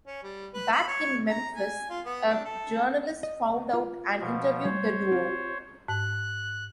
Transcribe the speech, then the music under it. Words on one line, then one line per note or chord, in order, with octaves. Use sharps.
Back in Memphis, a journalist found out and interviewed the duo.
C#4
G3
B4
B5
C#5
A#5
G#5
F4
B3
D4
A4
D#5
F4
B2 F3
G3 C5 C#5
C4 F4 G4
G#2 F#6